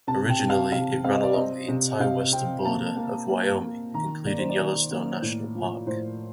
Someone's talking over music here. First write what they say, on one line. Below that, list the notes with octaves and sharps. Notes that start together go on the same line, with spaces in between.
Originally, it ran along the entire western border of Wyoming, including Yellowstone National Park.
C3 A5
G5
C3
F5
C3 F5
C4 F5
D#5
D5
C4 D#5
C3
C3 F5
C4 G5
A#3 A5
A#3
A#3
A#3
D#3 A#5
A#3 D5
C5
D5
D#3
A#3
A2
F3
A2 C5